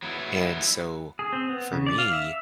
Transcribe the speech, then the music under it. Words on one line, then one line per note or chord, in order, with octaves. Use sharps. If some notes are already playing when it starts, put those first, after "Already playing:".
and so, for me,
F#3 B3 E4
G#4
C4
B3
C#3
D5
F5
E5